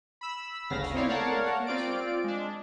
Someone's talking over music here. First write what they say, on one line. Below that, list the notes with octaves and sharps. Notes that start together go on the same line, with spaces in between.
I tremble for the future.
B5 E6
G1 D2 C#3 F5 A#6
C4 D#4 E4 C#5 D5 F5
A#4 C#5 D5 F5 F#5 A5
C4 F4 D5 D7
G#3 D4